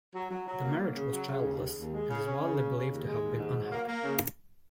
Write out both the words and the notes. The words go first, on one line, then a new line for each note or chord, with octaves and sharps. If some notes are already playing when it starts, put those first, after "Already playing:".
The marriage was childless, and is widely believed to have been unhappy.
F#3
F#3
F#3
A#3
F#3
C#3
F#3
C#3
D#2
C#3
D#2
G#3
C#3
C#4
C#3
C#4
C#3
D#2
G#3
D#2
G#2
F#3
A#3
A#3
C#3